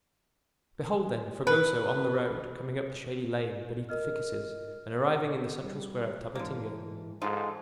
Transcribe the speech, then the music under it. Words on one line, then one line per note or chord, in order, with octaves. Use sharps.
Behold, then, Fragoso on the road, coming up the shady lane beneath the ficuses, and arriving in the central square of Tabatinga!
B4
A#4 D#5 F6
G3
G#2 D3 E3 A#3
G#2 G#3 D#4 F4 A4